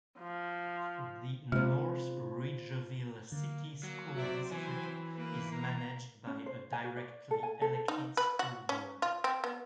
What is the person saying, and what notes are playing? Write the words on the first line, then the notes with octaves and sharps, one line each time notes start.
The North Ridgeville City School District is managed by a directly-elected school board.
F3
C3 G#3 F4 C5
D3 A#3
F#3 A#3
C3 F#4 C5 D5 E5
E3 F#3 C4 C5 G#5
A#3 B4
A#5 C7
C#4
C5
G#5
F#4
D5
A4
G#5
A4
D#4
B4
F#4
C#4
F4
C4
B3